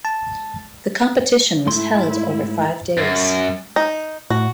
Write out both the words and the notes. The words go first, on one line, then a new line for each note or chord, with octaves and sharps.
The competition was held over five days.
A5
G#2 A3 E4 C6
F#2
D#4
A2 F#4